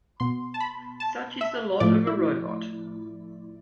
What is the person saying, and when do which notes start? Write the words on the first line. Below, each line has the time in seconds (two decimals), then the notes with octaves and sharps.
Such is the lot of a robot.
0.20 B2 B3 C6
0.54 A5
0.60 B5
1.00 A5
1.41 E5
1.80 A2 F3 A3 D5
2.07 E4